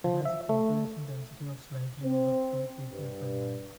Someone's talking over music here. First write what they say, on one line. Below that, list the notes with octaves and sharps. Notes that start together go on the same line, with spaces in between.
It has a population density of slightly over two people per mile.
F3
E5
A3
C4
G2